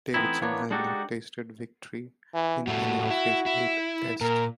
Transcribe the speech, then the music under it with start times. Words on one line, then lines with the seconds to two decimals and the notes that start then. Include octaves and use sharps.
Davidson had not tasted victory in any of his eight Tests.
0.14 E3 A3 B3 C4 D#4 E4
0.42 E3 A#3 B3 D4 C#5
0.71 G#3 D4 D#4 F#4 G4 A4
2.34 E3
2.67 A2 G3 A3 F#4
3.11 E4
3.46 E4
4.21 A#2 A#4